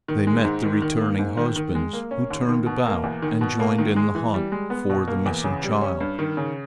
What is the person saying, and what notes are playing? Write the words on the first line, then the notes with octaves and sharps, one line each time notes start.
They met the returning husbands, who turned about and joined in the hunt for the missing child.
D#3
G#3
G#2
D#3
D#3
A#3
G#2
D#3
D#3
G#3
A#3
C#4
D#2
D#3
B2
A#3
E2
D#3
B2
A#3
D#3
G#3
E3
G3
G#3
B3
B2
A#3
E2
C#3
G3
C#4
G2
D#3
C#3